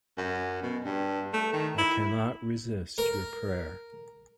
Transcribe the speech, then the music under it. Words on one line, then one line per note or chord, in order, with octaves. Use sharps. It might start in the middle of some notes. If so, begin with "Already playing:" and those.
I cannot resist your prayer.
F#2
B2
G2
A3
D#3
E4
A#4